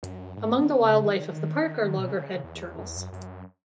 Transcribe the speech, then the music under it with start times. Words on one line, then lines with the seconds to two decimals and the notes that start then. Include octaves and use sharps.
Among the wildlife of the park are Loggerhead turtles.
0.03 F#2
0.37 G#2
0.62 D#3
0.72 C#3
1.05 D#3
1.98 B2
2.09 C#3
2.44 E2
2.78 F#2
2.87 E2
2.96 F#2
3.12 F#2